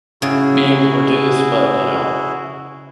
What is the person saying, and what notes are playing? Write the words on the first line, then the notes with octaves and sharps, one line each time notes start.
be able to produce, but, you know,
C#3 E4 F#4 G#4